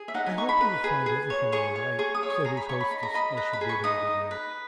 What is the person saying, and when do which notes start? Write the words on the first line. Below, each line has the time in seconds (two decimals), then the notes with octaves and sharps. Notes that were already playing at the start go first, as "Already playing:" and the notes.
"I hope you will find everything all right," said his hostess as she bid him good night.
Already playing: G#4
0.08 E5
0.14 D#4 F#5
0.26 G#5
0.38 D#4 C#6
0.49 B5
0.61 B4
0.84 G#4
1.06 G#4
1.30 C#5
1.52 G#4 C#6
1.75 C#5
1.99 G#4 C#6
2.15 D#6
2.23 C#5
2.30 C#6
2.45 G#4 A#5
2.57 B5
2.69 C#5 C#6
2.81 B5
2.91 D#4 B5
3.03 A#5
3.14 D#5 B5
3.37 B4 A#5
3.53 B5
3.61 G#4
3.69 C#6
3.84 D#4 D#6
4.08 D#5
4.31 B4